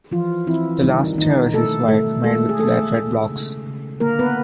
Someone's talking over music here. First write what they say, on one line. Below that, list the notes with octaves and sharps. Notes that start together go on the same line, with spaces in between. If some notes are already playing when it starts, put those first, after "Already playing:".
The last terrace is wide, made with laterite blocks.
E3 F3 F4
E3 C4 E4
D#3 G3 D#4
D#3 A#3 D#4
B2 A3 A4
B2 A3 A4
G#3 A3 A4
G#4
A3 A4
A3
C#3
C#3
D3 A#3 A#4
B3 B4